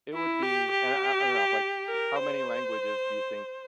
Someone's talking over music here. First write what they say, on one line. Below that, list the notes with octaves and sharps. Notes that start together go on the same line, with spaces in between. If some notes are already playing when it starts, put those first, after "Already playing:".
it would be and I I I don't know, like, how many languages do you think
E4
G4
G4
A#4
C5